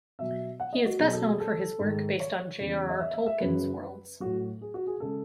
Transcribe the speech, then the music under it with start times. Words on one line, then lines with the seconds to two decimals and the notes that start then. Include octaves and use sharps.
He is best known for his work based on J. R. R. Tolkien's worlds.
0.19 B2 F#3 E5
0.60 F#5
0.73 D#5
0.85 F#4
0.99 B2 F#3 G#4
1.13 A4
1.26 G#4
1.40 A4
1.79 G#2 D#3 G#3
2.20 C#5
2.60 E2 C#3 G#3
2.89 D#5
3.00 E5
3.14 E5
3.27 E5
3.40 F#2 C#3 F#3 B4
4.20 A2 F#3 F#4
4.61 G#4
4.74 F#4
4.87 G#4
5.00 C#3 G#3 A4